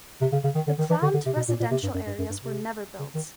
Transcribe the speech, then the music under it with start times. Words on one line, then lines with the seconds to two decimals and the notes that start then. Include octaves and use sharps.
The planned residential areas were never built.
0.21 C3
0.32 C#3
0.44 C#3
0.55 D#3
0.67 D3
0.78 D#3
0.90 E3
1.02 D3
1.14 D3
1.26 C3
1.36 B2
1.49 A#2
1.60 A#2
1.71 C3
1.83 G2
1.94 F#2
2.06 G2
2.19 F#2
2.30 G2
2.41 C3
2.99 C#3
3.15 D#3